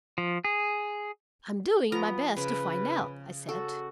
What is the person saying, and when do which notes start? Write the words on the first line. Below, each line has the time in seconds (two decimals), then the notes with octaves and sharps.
"I'm doing my best to find out," I said.
0.18 F3
0.45 G#4
1.92 F3 B3 A#5
2.37 C#3 B4
3.49 F#4 A4